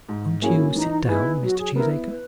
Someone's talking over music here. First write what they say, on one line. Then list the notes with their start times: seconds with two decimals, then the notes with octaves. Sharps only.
"Won't you sit down, Mr. Cheesacre?"
0.09 G#2
0.42 F#3 A#3 C#4 E4 G#4
0.76 E3 D#4
1.03 F#4
1.09 B3 D#4 E4 G#4 B4
1.43 F#3 F#4
1.58 G#4
1.76 B3 E4 A#4
2.09 B4